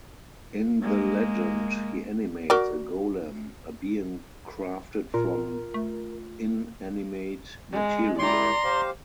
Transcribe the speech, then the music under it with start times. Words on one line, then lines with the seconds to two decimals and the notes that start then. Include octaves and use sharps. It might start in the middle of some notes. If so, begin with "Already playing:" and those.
In the legend, he animates a golem, a being crafted from inanimate material.
0.82 G#3 A#3
2.50 F#4 A#4 D5
5.14 A#2 F4 A#4
5.74 A3
7.73 G#3
8.19 G#3 E4 G4 D5 A#5 C6
8.65 G4 C5 F5